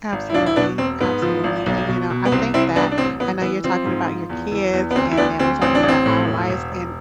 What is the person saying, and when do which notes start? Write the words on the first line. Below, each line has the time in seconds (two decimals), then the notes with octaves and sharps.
Absolutely, absolutely. And, you know, I think that I know you're talking about your kids, and then we're talking about our lives and
0.12 G#1
0.30 E4
0.34 E1 D4 F4
0.46 E4
0.56 B2 B3 D4
0.78 E1 C4
1.00 G#2 B3
1.22 F3
1.44 G#1
1.66 B1
1.88 B2
2.10 B2
2.25 B3
2.32 C2 C4
2.54 C2 C4 E4
2.76 C2 B3 D4
2.91 D4
2.98 A1 C4
3.20 A1 B3
3.42 E3 B3
3.64 F3 C4
3.86 G#2
4.08 F3
4.29 E2
4.52 E3
4.73 E2
4.91 B3
4.95 D2 C4
5.11 E4
5.17 D2 B3 D4
5.39 D2 C4
5.62 A1 C4
5.75 D4
5.83 A1
5.88 C4
6.06 A2
6.27 E1
6.49 E1
6.71 E1